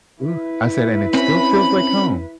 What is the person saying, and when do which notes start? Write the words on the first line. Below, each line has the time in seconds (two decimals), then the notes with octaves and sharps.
Ooh. I said, and it still feels like home.
0.22 E4 B4
1.14 C4 C#4 B5